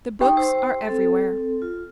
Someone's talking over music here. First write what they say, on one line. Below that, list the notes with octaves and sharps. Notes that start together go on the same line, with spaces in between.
The books are everywhere.
D#4 G4 G5 C6
C5 C6 E6
C4 A4
F4